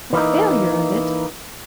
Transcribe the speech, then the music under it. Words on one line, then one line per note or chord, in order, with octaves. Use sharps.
"A failure of it!"
E3 A#3 D#4